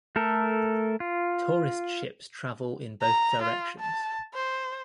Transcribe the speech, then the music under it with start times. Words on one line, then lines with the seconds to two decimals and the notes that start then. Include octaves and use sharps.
Tourist ships travel in both directions.
0.16 A3 A4 A#4
1.00 F4
3.02 A#5
3.42 F4
3.80 A5
4.34 C5